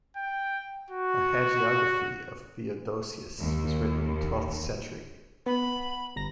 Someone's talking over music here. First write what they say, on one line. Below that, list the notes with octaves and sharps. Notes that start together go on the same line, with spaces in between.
A hagiography of Theodosius was written in the twelfth century.
G5
F#4
D#2
B3 B5
G1 A#5 A#6